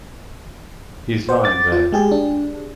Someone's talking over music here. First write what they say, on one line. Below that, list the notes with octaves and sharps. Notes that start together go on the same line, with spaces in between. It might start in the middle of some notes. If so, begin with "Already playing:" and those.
He's lying there.
C5 F#5
D6 A6
F4
G#3 G4 G#4
D4